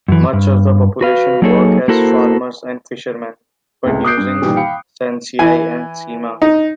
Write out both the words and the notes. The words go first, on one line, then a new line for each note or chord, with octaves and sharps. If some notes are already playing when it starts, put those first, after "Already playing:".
Much of the population work as farmers and fisherman, producing sansai and seema.
F#2 E3
G2
F#4 B4 F5
F#3 A#3 D#4 G#4 A4 C#5
A#3 E4 F#4 A4 A#4 C5
C#2 A2 C3
D6 D#6 F#6 G6 C7 D7
G2
A#2 D#3 E3 G3
F5 G5 B5 C#7
E3 G#5
D#4